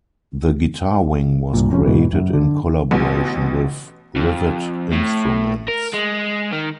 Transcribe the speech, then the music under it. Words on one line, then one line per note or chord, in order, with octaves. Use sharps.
The Guitar Wing was created in collaboration with "Livid Instruments".
C2 G2 A#2
F1 F2 C4 C#4
E2 G#2 B2 E3
F#2
D3
A1 B2
F2
A2
A#4
G#3
D#3